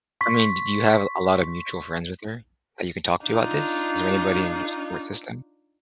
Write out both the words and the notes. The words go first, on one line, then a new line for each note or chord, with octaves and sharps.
I mean, did you have a lot of mutual friends with her that you can talk to about this? Is there anybody in your support system?
C6 C#6 B6
D4 D#4 F4